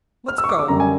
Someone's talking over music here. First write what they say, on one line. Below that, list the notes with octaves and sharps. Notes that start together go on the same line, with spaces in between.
"Let's go."
F6
E6
C#6
D6
D6
F#2 D3 G3 A#5
G#5